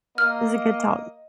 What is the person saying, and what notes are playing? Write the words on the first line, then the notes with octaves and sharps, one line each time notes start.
It was a good talk.
A#3 D#5 F6